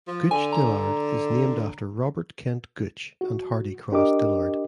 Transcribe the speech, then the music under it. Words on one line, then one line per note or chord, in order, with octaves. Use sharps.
Gooch Dillard is named after Robert Kent Gooch and Hardy Cross Dillard.
F3
D3 G#5
A#5
F#4
D4 G4 A#4 D#5 D6